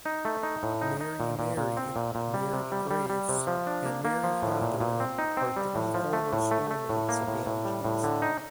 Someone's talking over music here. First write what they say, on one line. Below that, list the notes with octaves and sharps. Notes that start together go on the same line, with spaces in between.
Mary Mary; Mary Grace; and Mary Katherine are three former school mates of Angie's.
D#4
A3
D#4
A2
D#4
D#4
A#2
A#2
A#2
C4
A#2
A#2
G3
C3
G3
G3
G3
C3
F3
D4
A#3
A#3
F3
A2
A#2
A#2
C4
D#4
C4
G3
A2
F3
A3
A2
A3
A3
A2
A#3
A2
A2
G3
A2
D3
D#4